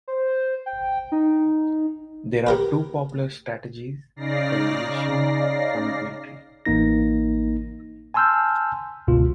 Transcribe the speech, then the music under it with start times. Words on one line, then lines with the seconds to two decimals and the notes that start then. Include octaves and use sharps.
There are two popular strategies for deletion from a B-tree.
0.08 C5
0.66 G5
1.12 D#4
2.47 G4 A#4 B4
4.16 C#3 D#4 D5 F5 A#6 C7
6.65 A1 A#3 D#4 A#6
8.14 G#5 A5 C6 E6 F6 G6
9.07 G1 C#2 B2 F4